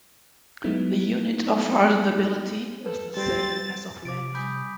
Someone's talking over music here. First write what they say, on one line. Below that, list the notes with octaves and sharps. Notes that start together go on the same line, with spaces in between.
The unit of hardenability is the same as of length.
F#3 G#3 A3 B3 D#4 E4
A4 B4
G3 C4 A6
C3 D6 A6 D7
G3 G#5 B5 D#6 G6